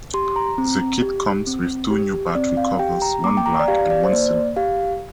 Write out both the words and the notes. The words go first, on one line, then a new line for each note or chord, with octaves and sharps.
The kit comes with two new battery covers, one black and one silver.
G4 C6
A#5
C4
G4
C4
G4
C4 D5
F5
G4 G5
A#5
A#3 D6
G5
A#5
D5
G4 F5
D5
C5
A#3 D5
G4 F5